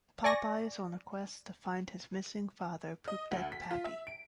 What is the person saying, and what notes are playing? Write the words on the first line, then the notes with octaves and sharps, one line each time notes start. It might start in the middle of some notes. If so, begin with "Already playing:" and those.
Popeye is on a quest to find his missing father Poopdeck Pappy.
D5 G#5 C#6 A#6
D#5
D2
B6
F4
E5
D7